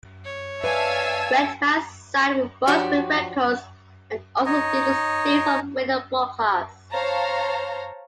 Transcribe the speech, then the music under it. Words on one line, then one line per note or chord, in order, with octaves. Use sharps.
Redman signed with Brunswick Records and also did a series of radio broadcasts.
C#5
B4 D5 E5 F5 G#5 A5 E6 G#6
F3 D4 F#4 G4 C#5
D#4 C#5 D#5
C5 C#5 F5 A5 A#5